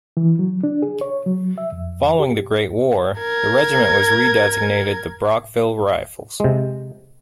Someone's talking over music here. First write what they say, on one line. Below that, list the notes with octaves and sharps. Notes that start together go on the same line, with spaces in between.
Following the Great War, the regiment was redisgnated The Brockville Rifles.
E3
F#3
D4
G#4
C#5
F#3
E5
F2
G4
A#4 G#6
C3 G#3